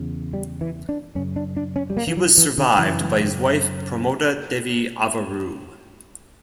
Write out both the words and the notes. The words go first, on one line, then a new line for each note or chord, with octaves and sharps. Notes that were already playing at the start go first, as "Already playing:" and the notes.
He was survived by his wife Pramoda Devi Avaru.
Already playing: E2 C#3
G3
E3
D4
F#2 C#3 C#4
D4
D4
C#4
G3
A#3
E3
F#3
E3
D3
F#2 C#3 E3